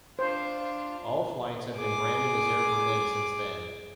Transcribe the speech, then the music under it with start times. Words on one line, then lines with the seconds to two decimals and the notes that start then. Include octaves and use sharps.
All flights have been branded as Air Berlin since then.
0.19 D4 F4 C5
1.77 G#4 D6